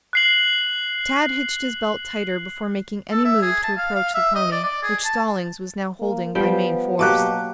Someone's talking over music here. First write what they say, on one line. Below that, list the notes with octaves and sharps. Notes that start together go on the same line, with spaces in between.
Tad hitched his belt tighter before making any move to approach the pony, which Stallings was now holding by main force.
F#6 C7 F#7
A4
E5
G#4
A5
F5
F5
E5
D#5
D5
D5
G#4
A5
A#3
F3 G3 B3 G5
B2 F#3 A#3 G4 A5 D6 F#6